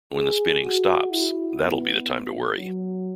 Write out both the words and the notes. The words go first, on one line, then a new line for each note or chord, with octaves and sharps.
When the spinning stops - that'll be the time to worry.
G#4
F#4
E4
B3
F#3